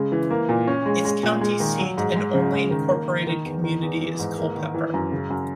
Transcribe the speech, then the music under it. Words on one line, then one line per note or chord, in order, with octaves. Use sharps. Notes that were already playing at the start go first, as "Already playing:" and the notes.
Its county seat and only incorporated community is Culpeper.
Already playing: C#3 G#3
E3
A#3
A#2
C#4
G#3
G#3
A#2
G#3
D#3
F#3
G#2
G#3
C#3
G#3
D#3
A#3
D#3
D#3
E2
D#3
E2
E3
G#2
A#3
D#3
E3
F#2
C#3
F#2